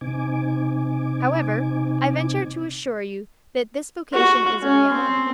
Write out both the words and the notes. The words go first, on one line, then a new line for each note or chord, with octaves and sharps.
However, I venture to assure you that this vocation is a reality.
C3 C4 D#4 G#5 D6
F#4
C#4
C4